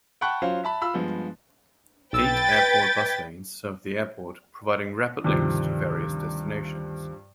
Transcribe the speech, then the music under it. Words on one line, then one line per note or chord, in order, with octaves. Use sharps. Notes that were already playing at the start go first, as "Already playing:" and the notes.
Eight airport bus lines serve the airport, providing rapid links to various destinations.
F#5 G5 A5 B5 C#6 F#6
F#3 C#4 F4 C5 F5
E5 A5 B5
F4 B5 E6
G2 F3 G#3 B3
B1 B4 G5 E6 A6
G6 G#6 B6
D2 G2 C3 D#3 F3